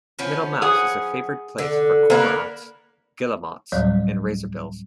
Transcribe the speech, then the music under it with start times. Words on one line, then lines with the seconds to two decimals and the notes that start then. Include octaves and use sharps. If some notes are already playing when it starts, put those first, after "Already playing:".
Middle Mouse is a favoured place for cormorants, guillemots and razorbills.
0.19 F3 B3 C#4
0.62 G#4 F#5
1.58 D3
2.10 D3 A#3 A#4 B4
3.72 D2 A2 F#3 G3 C#5